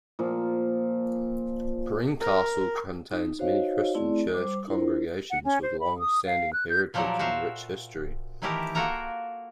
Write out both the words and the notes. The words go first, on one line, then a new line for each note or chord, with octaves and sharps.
Greencastle contains many Christian church congregations with longstanding heritage and rich history.
A#2 F3
A#4
D#4
D#4 F#4 C5 C#5 D#5 F5
A3 C4 E4 G#4 D5
G3 C5 D6
D4 E4 F4 A#4 C5
F#5
C#4
C5
B5
D#6
F5
F#6
G6
A#2 F3 F#3 G4 A4 A#4
F#4 C5 E5 F5
D#3 E3 A3 E4 G4 A#4
A#3 F4 F#4 A4 A#4 A#5